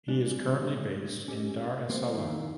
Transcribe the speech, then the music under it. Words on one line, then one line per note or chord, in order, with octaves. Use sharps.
He is currently based in Dar es Salaam.
A2 G3 G#3 D4
C#4 G4 A4 D5 D#5
G3 A#3 C4 F#4 A#4 C5
D#3 D#4 E4 F5